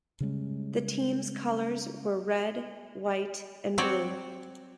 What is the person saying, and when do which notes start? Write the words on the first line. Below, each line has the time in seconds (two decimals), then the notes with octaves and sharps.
The team's colors were red, white and blue.
0.20 C#3 G3 G#3 C#4
3.78 F#3 C4 F#4 C#5 D5